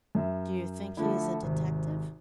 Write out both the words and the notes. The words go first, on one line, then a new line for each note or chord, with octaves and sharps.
"Do you think he is a detective?"
F#2 E5
D3 F3 A3 E4
G#1 C3